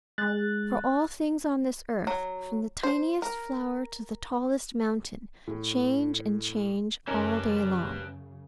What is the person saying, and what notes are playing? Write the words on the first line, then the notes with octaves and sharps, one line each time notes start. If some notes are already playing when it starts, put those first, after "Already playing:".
For all things on this earth, from the tiniest flower to the tallest mountain, change and change all day long.
G#3 F#6 A6
F#3
C5
A#4
A2
F#2 C#3 C#4 D#4 G4 A#4 B4 A5